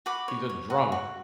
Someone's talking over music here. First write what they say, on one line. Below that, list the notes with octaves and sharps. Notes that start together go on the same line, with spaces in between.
He's a drunk.
F#4 B5 D6
C#5
C#5
F#4
F#4